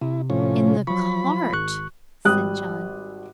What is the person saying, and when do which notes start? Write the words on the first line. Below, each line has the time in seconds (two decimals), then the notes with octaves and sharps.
"In the cart," said John.
0.02 C3 E4
0.30 A2 F3 C#4
0.87 F3 F#3 B5 C#6
1.53 G#1 C#6 F#6
2.25 G#1 G3 D#6 F#6